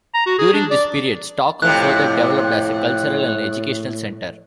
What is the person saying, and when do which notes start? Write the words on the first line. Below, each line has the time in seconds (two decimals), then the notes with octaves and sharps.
During this period, Stockholm further developed as a cultural and educational centre.
0.15 A#5
0.27 F#4
0.39 G#4
0.54 D4
0.71 D5
1.62 F2 A2 C3 F#6